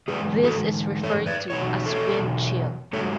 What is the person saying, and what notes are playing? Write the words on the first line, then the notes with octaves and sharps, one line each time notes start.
This is referred to as wind chill.
G#2 E3 G#4 B4
F#4 A4
A4 C#5
B4 D5
E2 B2 F#3 C#5
A4 C#5
G#2 F#3 A4 C#5